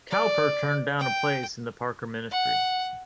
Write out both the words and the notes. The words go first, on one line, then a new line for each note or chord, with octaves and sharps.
Cowper turned down a place in the Parker ministry.
D5
G5
F#5